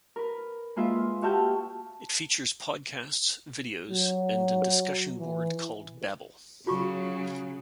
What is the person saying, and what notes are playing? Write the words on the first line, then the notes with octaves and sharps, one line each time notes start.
It features podcasts, videos and an discussion board called "babble".
A#4 B4
G#3 A#3 F4 B4 E5
F#4 G4 E5 A5 F6 G6
F#3
E3
C#3 F#3 F4 F#4 C#6